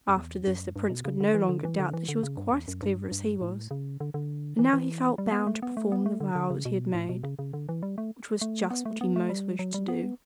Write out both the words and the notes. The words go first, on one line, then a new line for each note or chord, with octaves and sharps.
After this the Prince could no longer doubt that she was quite as clever as he was, and now he felt bound to perform the vow that he had made, which was just what he most wished to do.
F#2
E2
F#2
G2
B2
C#3
D3
E3
D3
E3
D3
E3
D3
C#3
G2
E2
F#2
G2
G2
A2
C#3
D3
D3
E3
E3
G3
B3
A3
B3
A3
B3
A3
D3
D3
C#3
B2
A2
B2
C#3
C#3
D3
E3
G3
A3
A3
B3
A3
B3
A3
G3
F#3
G3
B3